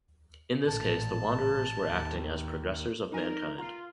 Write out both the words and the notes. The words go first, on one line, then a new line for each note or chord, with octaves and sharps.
In this case, the Wanderers were acting as progressors of mankind.
A1 A#2 A5
D#2
D#4 A#4 G#5
F4 A#5